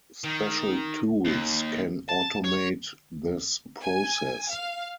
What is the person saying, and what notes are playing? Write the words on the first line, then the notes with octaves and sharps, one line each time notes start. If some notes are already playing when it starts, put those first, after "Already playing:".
Special tools can automate this process.
D#3
D#2
A5
C#5
G#5
F5